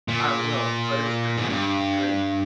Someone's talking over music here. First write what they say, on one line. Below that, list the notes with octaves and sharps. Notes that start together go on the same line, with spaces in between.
I will, but it was definitely great.
A#2
G#2
G2